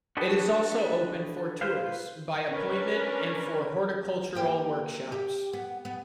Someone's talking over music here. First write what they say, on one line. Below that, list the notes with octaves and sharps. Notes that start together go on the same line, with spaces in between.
It is also open for tours, by appointment, and for horticultural workshops.
D4 F#4 G4 A4 B4 D#5
F4 B4 C5 F5
C#4 D4 A#4 B4
A#3 G4
G4
B3
B3